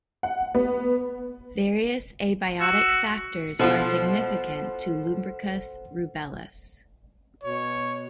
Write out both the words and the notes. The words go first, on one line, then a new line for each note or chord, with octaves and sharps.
Various abiotic factors are significant to "Lumbricus rubellus".
F#5
B3
F#4 E6
B2 F3 F4 A4 C5 F#5
B2 C#5